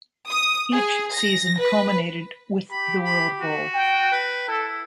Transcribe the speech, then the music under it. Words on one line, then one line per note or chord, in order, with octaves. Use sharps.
Each season culminated with the World Bowl.
D#6
G#4
A#6
B4
G4 B5
B5
F#4
G5
B4
E4 A4